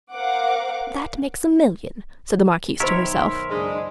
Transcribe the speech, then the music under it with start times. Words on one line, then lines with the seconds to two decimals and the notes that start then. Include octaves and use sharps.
"That makes a million," said the marquise to herself.
0.13 A#4 C5 F5 F#5 D6
2.80 B1 D#3 A#4 C5 C#5 E5 B5 E6
3.49 F#1 G#3 D4